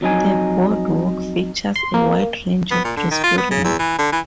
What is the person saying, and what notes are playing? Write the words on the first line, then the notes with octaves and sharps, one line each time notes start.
The BoardWalk features a wide range of restaurants.
F2 F#3 D#4 G#5
C6
A#3
B3
A#2
D3
D#3
F4
B3
C#3
E2
E3
D3
E3